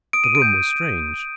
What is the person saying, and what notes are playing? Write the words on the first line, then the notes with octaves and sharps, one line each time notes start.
The room was strange!
D#6 D7
D#7
D7
G6